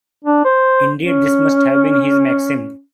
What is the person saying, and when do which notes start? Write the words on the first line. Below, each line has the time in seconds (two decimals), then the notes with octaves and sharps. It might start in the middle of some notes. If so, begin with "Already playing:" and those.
Indeed this must have been his maxim.
0.24 D4
0.45 C5
1.00 C#4